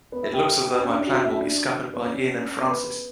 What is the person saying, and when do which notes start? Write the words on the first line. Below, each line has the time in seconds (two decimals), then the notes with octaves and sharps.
It looks as though my plan will be scuppered by Ian and Francis.
0.12 B3
0.23 E4
0.34 G4
0.44 G4
0.78 C#4
0.88 D4
0.98 E4
1.07 F#4
1.24 E4
1.40 D4
1.94 B3
2.03 C#4
2.67 B3